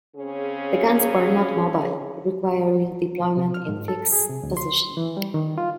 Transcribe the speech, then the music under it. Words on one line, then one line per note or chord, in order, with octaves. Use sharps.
The guns were not mobile, requiring deployment in fixed positions.
C#3 C4 C#4 G#4
C3
F6
G#2
A4
G#4
C3
D2
C6
E3
G3
D#3
F4